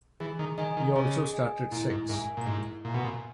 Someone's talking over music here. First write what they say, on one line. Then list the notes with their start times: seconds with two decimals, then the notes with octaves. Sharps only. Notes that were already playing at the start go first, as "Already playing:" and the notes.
He also started six.
0.20 E3 G#4
0.39 D#3
0.58 D#3 D#5 G#5
0.77 D#3
0.95 C#3 G#4
1.33 D#5 G#5
1.71 A#2 E4
1.90 G#2
2.09 G#2 A#4 E5 G#5
2.37 A#2
2.46 G#2 E4
2.84 A#2 A#4 E5 G#5
2.94 B2
3.04 A#2